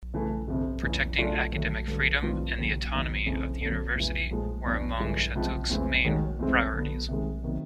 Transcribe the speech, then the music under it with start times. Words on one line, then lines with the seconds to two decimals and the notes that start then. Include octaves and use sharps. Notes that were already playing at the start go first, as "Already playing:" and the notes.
Protecting academic freedom and the autonomy of the university were among Shattuck's main priorities.
0.14 C#3 E3 A3
0.48 G1 F2 C3
0.83 F#1 E2 C#3 E3
1.18 C#3 F#3 A3 D4 F4
1.52 D#2 D3 F#3 A3
1.87 G2 D3 F#3
2.22 G2 D#3 G3 C4 F4
2.57 D#2 C#3 F#3 A#3
2.92 D#2 C#3 F#3 B3 D#4
3.26 F#1 F2 C#3 E3
3.61 F2 D3 F#3 A#3
3.95 E2 C#3 E3
4.31 A#2 F3 G#3
4.66 E2 B2 F#3 B3 D4
5.00 G1 G2 E3 G#3
5.35 C#2 C3 F3
5.70 E2 C#3 E3 G#3 C4
6.04 D#2 D#3 G#3 C#4 F#4
6.39 E2 C3 E3 G#3 C4
6.74 D3 F#3 B3
7.09 C3 D#3 G#3
7.43 C3 D#3 F#3 B3